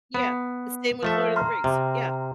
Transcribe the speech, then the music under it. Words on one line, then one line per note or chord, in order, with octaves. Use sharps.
Yeah, the same with Lord of the Rings, yeah,
B3
F3 A3 E5
A#5 C6 F6
C3